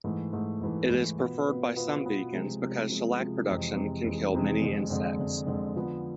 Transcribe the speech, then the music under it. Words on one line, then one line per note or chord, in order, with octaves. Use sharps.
It is preferred by some vegans because shellac production can kill many insects.
G#2 E3 A3
G#2 E3 A3
G#2 E3 A3
G#2 E3 A3
B2 B3 F4 B4
B2 B3 F4 B4
B2 B3 F4 B4
B2 B3 F4 B4
C3 F3 G#3
C3 F3 G#3
C3 F3 G#3
C3 F3 G#3
F2 C3 E3 G#3
F2 C3 E3 G#3
F2 C3 E3 G#3
F2 C3 E3 G#3
F2 D3 G#3
F2 D3 G#3
F2 D3 G#3
F2 D3 G#3
D3 F3 B3